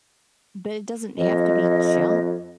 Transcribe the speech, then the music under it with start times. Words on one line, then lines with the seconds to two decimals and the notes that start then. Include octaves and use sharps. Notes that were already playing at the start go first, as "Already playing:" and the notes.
but it doesn't have to be junk,
1.18 F2 D#5